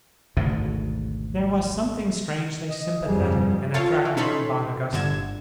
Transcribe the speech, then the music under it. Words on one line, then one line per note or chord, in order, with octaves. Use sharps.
There was something strangely sympathetic and attractive about Augustine.
G#1 D2 G#2 B2
D#5
G1 F2 G3 G#4
F4 A4 C#5 F5
E3
C#4 D#4 A4 C#5 B5 C6
G1 D3 G#6 E7